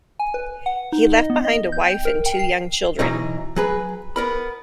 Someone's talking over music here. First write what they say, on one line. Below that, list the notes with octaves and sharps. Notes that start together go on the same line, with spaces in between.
He left behind a wife and two young children.
G#5
B4
F#5
D#4
D#5
B3
D#5
G6
G5
A#4
G5
C7
B2 E3 F#3 D#4
F#3 G#4 B4
B3 A#4 B5